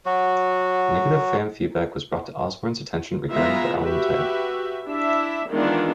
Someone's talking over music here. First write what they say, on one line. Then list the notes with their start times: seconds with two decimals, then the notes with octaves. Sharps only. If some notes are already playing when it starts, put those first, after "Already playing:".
Negative fan feedback was brought to Osbourne's attention regarding the album title.
0.06 F#3 F#4
3.30 E3 G#3 B3 F4 E5 A#5
3.80 F#4 G4 B4 E5
4.87 D4 E4 E5
5.50 D#3 E3 G#3 B3 D4 F4